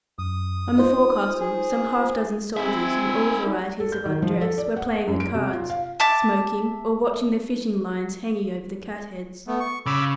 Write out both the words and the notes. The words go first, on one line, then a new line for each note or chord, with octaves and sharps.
On the forecastle, some half-dozen soldiers, in all varieties of undress, were playing at cards, smoking, or watching the fishing-lines hanging over the catheads.
F#2 D#6
D#4 F4 C5
G#4
C4 D#4 E5 G#5
A4
G6
D#3
F3
A4
D5
F#5
F#2
D7
C3
F4
F5
E5 A5 D6
A3 B3
C#6
C#3 B5 D6 E6